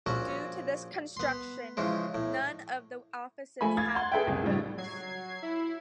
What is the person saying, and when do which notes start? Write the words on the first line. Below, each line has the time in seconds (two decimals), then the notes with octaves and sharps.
Due to this construction, none of the offices have windows.
0.06 A#1 C#4 F#4 A4
1.17 B3 C6
1.77 C#3 E3 F3 G#3
2.14 A2
3.61 F3 A3 G#5 B5
3.77 F5 G#6 A6
3.95 F#5 C6
4.12 G#4 A4 B4 E5 F5 G5
4.27 F#1 C2 G#4
4.43 A2 C#3 F3 G3 D#4
4.77 F#3 G#6 C7
5.42 E4